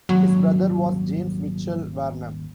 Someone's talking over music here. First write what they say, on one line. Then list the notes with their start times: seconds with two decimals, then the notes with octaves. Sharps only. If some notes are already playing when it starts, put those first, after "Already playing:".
His brother was James Mitchell Varnum.
0.09 D#1 G#1 F#3